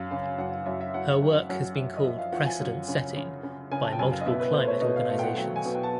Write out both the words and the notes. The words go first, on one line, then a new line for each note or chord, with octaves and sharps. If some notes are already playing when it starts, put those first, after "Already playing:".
Her work has been called "precedent setting" by multiple climate organizations.
Already playing: F#2 F5
C#3 F5
F#2 F#5
F5
F#2 E5
E5
F#2 F#5
F#2 G5
F#2 F#5
F#2 E5
D#5
F3 E5
F5
F3 F#5
G#5
F#2
C#3
C#3
C#3
C#3 G#5
A5
G5
F#2 G#5
F5
D#5
B2 E5
B4
A3 C5
C#5
B2 D#5
F5
A3
G5
F#5
F#3 G5
G#5
B2
G5
A5